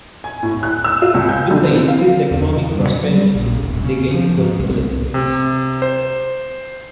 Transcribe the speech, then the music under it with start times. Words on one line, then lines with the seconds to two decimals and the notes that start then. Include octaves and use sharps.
With their increased economic prosperity they gained political influence.
0.24 G#5
0.43 A2
0.63 F#6
0.84 E6
1.02 F4
1.14 C#2
1.29 G6
1.51 D3
1.73 E3
1.88 F5
2.31 E2
2.57 C#3
2.74 G2
2.90 F#3
3.11 G3
3.35 A#1
3.61 E1
3.84 C#3
4.14 F3
4.37 G#2
4.59 C2
4.71 C2
5.14 C3
5.82 C5